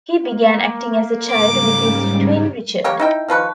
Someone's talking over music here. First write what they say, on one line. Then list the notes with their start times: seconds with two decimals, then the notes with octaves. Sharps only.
He began acting as a child with his twin Richard.
0.24 A#3
1.31 G#2 C#3 G3 D6
2.84 A#3 G4 C#5
3.00 D#4 E4 G5
3.28 D#3 F3 B4 C#6